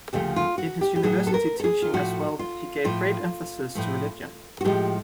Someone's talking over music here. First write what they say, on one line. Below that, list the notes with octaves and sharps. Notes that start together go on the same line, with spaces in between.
In his university teaching as well, he gave great emphasis to religion.
D2 C#3 F3 A3 G4
F4
F#4
G4
G4
A2 F#3 A3 G#4
A4
A#4
A4
G#4
F4
A2 F3 A3 F#4
F4
A2 F3 A3 F4
A2 F3 A3
F#4
A2 F3 G#3 G4